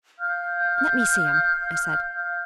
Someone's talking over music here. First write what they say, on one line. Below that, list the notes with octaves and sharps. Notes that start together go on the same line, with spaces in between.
"Let me see him!" I said.
F5 F6 G6